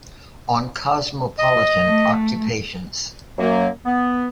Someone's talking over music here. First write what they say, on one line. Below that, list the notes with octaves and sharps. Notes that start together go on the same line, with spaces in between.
'On Cosmopolitan Occupations.
D#5
A3
F#2 F#3 A#3
B3